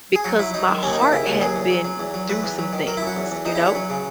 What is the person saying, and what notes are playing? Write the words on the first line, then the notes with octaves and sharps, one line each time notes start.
because my heart had been through some things, you know?
G#4
F#3 F#4
F#3 E4
F#3 D#4
D#3
D#2 C#4
D#4
D#2 E4
C#3 E4
D#2 F#4
F#3 G#4
E2
F#3
F#3
E2
F#3
E2 B4
E2
F#3
D#3
F#3 A#4
E4
F#2 F#4
E2
E2
E2 D#4
E4
E2 F#4
F#3
C#3